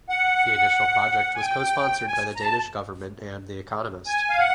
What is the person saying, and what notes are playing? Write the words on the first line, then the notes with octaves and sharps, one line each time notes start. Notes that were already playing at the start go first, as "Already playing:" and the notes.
The initial project was co-sponsored by the Danish government and "The Economist".
F#5
G#5
G5
G#5
A#5
A5
G#5
F5
F#5